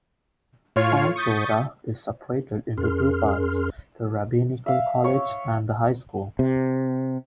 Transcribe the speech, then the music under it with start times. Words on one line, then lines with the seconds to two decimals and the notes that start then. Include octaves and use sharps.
Kol Torah is separated into two parts, the rabbinical college and the high school.
0.76 A2 F4 C#5 C#6 F6 C7
1.16 C#6 D#6 G6 A6 B6
2.78 F2 C#4 G#4 A#4 C6 F6
4.66 E5 F5
5.04 C#5 C#6
6.39 C3